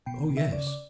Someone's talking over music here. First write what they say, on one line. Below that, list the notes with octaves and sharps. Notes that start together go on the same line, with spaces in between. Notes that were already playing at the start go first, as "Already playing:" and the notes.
"Oh, yes!"
B2 G5
B2
E5
C#3 D5
D5